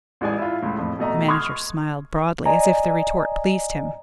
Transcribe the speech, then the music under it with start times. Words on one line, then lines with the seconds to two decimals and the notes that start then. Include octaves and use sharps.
The manager smiled broadly, as if the retort pleased him.
0.21 A1 E3 G#3 D5 G#5
0.38 E4 F4
0.62 C#2 A2
0.78 F2 A2
0.99 B2 A3 D#5 A#5
1.28 C6 C#6 D#6 F6 G#6
2.46 D5 D#5 G#5 A#5